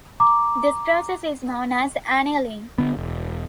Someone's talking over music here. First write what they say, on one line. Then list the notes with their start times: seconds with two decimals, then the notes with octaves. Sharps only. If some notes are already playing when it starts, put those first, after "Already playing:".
This process is known as annealing.
0.20 A#5 D6
2.78 D3 B3
2.97 E1